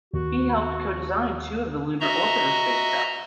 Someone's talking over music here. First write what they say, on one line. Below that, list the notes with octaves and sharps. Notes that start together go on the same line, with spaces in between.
He helped co-design two of the Lunar Orbiter spacecraft.
D#2 F#4
F#4 D#5 E5 A#5